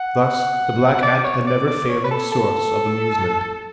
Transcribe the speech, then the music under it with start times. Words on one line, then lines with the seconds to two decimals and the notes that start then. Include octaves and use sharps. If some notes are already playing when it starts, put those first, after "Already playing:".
Thus the black had a never-failing source of amusement.
Already playing: F#5
1.02 D5
1.24 C#5
1.47 D5
1.67 D5
1.89 C#5
2.04 B4
2.11 A4
2.32 A4